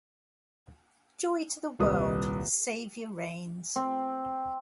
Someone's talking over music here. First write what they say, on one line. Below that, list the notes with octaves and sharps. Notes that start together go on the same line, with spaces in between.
Joy to the world, the Savior reigns!
D#1 C2 B4 D#6
C4